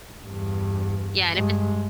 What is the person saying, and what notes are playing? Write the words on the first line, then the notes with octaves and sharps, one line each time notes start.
Yeah, and if it's
E2 G2
G2 G#3